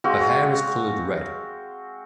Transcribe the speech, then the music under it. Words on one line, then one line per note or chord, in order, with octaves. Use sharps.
Her hair is colored red.
G#3 C4 F#4 F5